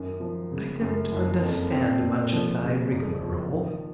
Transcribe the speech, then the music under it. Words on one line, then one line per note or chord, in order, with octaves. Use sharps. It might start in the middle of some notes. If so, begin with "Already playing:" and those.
"I don't understand much of thy rigmarole."
Already playing: F#2 D#3
F3
C#3
F#2
F#1
F2
C4
A#2
F3
C#3
G#2
F3
D#3